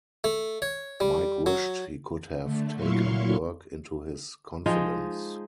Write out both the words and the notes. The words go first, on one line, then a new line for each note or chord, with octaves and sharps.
Mike wished he could have taken Burke into his confidence.
A3
C#5
G3
F#3
D3 A3
A#2 F#3 E4 F5 C6 C#6
F3 G#3 D#4